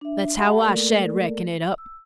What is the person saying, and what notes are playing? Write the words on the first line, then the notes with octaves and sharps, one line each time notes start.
That's how I shed reckon it up.
D4 E5
G4 E5 F#5 A5 B5
A3 A#3 A4 A#4 D5
E6